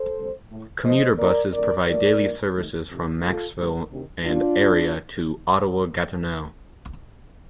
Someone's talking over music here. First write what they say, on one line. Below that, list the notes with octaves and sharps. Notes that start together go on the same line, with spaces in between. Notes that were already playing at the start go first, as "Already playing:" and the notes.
Commuter buses provide daily services from Maxville and area to Ottawa-Gatineau.
Already playing: A4 C5
D2 C3 G3
A2 A3
F2 D3 F3 A3 C5 D#5
D#2 D#3 A#3 A#4 D5
F2 D3 A3 A#4 D5
G2 F3 A3 A#4 D5
G2 F3 A#3
D#2 D#3 A3
F2 C3 D#3
F2 C3 D#3 A3 F4 A4
A2 G3 A#3
D2 C3 D#3
A2 G3 A#3 D4 F4
D#2 D3 G3